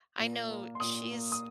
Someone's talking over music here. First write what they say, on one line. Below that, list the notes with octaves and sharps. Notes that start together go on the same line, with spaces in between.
I know she's
A#2
A#3
C6
A#2 D#6
A#3
D#6